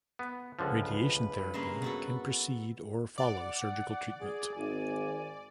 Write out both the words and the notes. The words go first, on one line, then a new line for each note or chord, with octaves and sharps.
Radiation therapy can precede or follow surgical treatment.
B3
C#2 D3 F3
B4
G2
C#3 G#3 A#3
B3 F#4 A4
D5 F#5
G#4
G#1 G#5